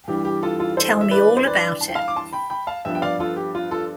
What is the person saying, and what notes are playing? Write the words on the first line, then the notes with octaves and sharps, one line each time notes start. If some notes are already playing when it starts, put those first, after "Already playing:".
Tell me all about it.
G2 E3 G3 G4
G4
F4 A4
F4 A4
A4 C5
E5
B4 D5
C5
B4 D5
A5
G5
F5 A5
D6
A5 C6
G5 B5
G5 B5
F5 A5
G2 F3 B3 E5 G5
G5
D5 F5
F4 A4
G4
F4
F4 A4